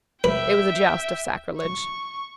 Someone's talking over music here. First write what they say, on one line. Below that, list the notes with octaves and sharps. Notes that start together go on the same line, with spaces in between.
It was a joust of sacrilege.
B4 E5 G5
C#6